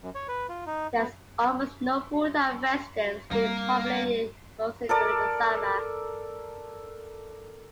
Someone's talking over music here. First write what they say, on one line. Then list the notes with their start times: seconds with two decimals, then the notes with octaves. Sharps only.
It has almost no full-time residents, being populated mostly during the summer.
0.02 F#2
0.15 C#5
0.28 B4
0.49 F4
0.66 D#4
0.97 B3
3.31 G3 A#3 C4 A#4
4.89 A4 A#4 D5